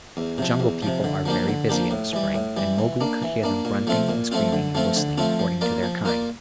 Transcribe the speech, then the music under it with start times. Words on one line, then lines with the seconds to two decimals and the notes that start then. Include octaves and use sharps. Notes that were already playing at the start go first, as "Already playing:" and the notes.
The Jungle People are very busy in the spring, and Mowgli could hear them grunting and screaming and whistling according to their kind.
0.17 E2
0.38 C3 F3
0.60 E2
0.82 C3 F3
1.04 D3
1.26 F3 A#3 D4 G4
1.48 D3
1.69 F3 A#3 D4 G4
1.91 A2
2.13 E3 G3
2.35 A2
2.57 E3 G3
2.78 E3
3.01 A#3 D4
3.23 E3
3.43 A#3 D4
3.65 A#2
3.87 F3 A3 C4 F4
4.09 A#2
4.32 F3 A3 C4 F4
4.52 D3
4.75 F3 A3 C4 F4
4.96 D3
5.18 F3 A3 C4 F4
5.39 F3
5.61 A#3 F4 A#4 D5
5.83 F3
6.05 A#3 F4 A#4 D5